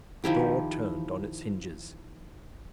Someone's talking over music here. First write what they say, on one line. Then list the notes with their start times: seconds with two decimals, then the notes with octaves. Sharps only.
The door turned on its hinges.
0.24 D#3 F3 E4 G4